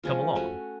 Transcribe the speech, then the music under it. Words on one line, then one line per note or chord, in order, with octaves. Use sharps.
"Come along."
F3 G#3 C#4 F4
A3 C#4 F#4